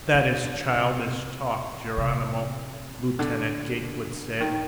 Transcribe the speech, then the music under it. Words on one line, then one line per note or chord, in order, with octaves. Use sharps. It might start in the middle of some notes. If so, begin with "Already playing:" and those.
"That is childish talk, Geronimo," Lieutenant Gatewood said.
D#3
D3
C3
C3
D3
D#3